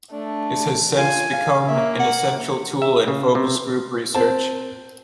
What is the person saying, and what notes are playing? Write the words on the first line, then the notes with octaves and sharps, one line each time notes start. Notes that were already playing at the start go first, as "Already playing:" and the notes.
This has since become an essential tool in focus group research.
A3 D4
F4 G#5
F5
A#3 E5
F#5
E5
C#3
C3
C4 A5